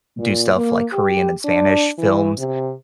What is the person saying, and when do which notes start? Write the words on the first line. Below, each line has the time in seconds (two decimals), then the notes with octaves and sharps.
do stuff like Korean and Spanish films.
0.19 A#2
0.57 A#3
0.93 G4
1.45 D4
1.98 E3
2.39 C3